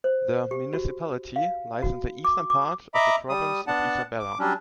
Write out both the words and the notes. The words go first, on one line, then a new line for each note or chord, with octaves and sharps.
The municipality lies in the eastern part of the Province of Isabela.
C5
G4
F#4
F5
F#4
D6
D6
D#5 E5 A#5 B5 D6
G3 D#6
B3 D4 F#5 A5
D6
F#3 G3 C#4 D4